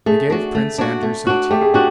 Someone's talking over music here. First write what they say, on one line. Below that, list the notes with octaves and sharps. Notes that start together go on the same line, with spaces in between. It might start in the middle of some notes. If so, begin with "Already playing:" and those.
They gave Prince Andrew some tea.
A3 G#4
D4 F#4
A3
D4 F#4
A3
D4 F#4
A3 G4
G#4
D4 F#4 G4